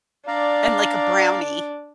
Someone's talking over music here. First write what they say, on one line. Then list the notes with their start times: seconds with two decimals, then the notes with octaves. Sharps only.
and like a brownie.
0.27 D4 D5 F5 A#5